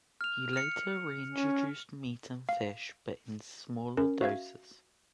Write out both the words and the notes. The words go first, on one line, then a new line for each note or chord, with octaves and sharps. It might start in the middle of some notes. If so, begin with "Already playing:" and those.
He later reintroduced meat and fish, but in smaller doses.
F6 F7
F6 C#7
C#4
F5
C#4 A#4
F#4 E5 F5 G#6